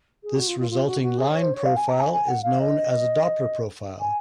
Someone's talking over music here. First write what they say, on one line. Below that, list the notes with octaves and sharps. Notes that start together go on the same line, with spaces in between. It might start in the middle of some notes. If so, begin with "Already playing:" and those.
This resulting line profile is known as a Doppler profile.
G#4
F#4
F4
F4
F4
F#4
F#4
G#4
C#5
C5
C#5
F5
G#5
A#5
G#5
G#5
F#5
F5
D#5
G#5